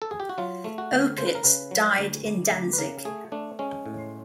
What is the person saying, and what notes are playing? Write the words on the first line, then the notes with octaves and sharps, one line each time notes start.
Opitz died in Danzig.
A4
G#4
G4
F#4
F#3 F4
A3
F#4
D2
C#3 C5
B4
A#4
C#3 B4
F#3
D2
D2
D2
B4
C#3 A#4
A3 G#4
A3 D4
G#3 C#4
A2